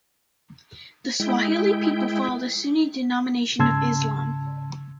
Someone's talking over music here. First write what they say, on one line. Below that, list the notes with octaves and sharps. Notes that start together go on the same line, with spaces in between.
The Swahili people follow the Sunni denomination of Islam.
G#3 E4 G5
G#2 C#3 A5 C6 E6 G#6